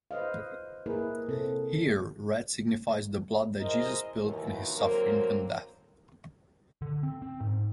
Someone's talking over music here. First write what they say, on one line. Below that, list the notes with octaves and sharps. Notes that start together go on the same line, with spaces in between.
Here, red signifies the blood that Jesus spilled in his suffering and death.
B4 C5 D#5 F5
A#3 E4 G#4 A#4 B4
C3 C4 A4
G#3 E4 A#4 C5 D#5
D#2 B2 E3
D3 F#3 A#3 C4 A#4
D3
C4
C4
G#2